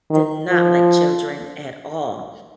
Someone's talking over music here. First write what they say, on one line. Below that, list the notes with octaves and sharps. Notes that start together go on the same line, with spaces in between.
did not like children at all.
D#3
F3